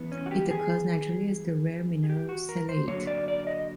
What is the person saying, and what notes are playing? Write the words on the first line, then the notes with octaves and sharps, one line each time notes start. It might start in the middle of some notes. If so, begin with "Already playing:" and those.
It occurs naturally as the rare mineral sellaite.
Already playing: E3 B3
C#4
F#4
G4
G#4
G#4
G4
F#4
A#4
C5
D3 F#3 A#3 C#5
D5
D5
D#5